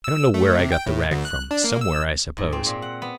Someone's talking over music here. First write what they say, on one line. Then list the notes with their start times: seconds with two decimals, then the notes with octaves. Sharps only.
"I don't know where I got the rag from--somewhere, I suppose."
0.04 E6
0.34 A3
0.59 C3
0.72 G5
0.86 A2
1.11 D2
1.25 F#6
1.51 D4
1.64 A#3
1.81 E6
2.38 G#2
2.52 C4
2.66 A#2
2.82 F#5
3.02 B3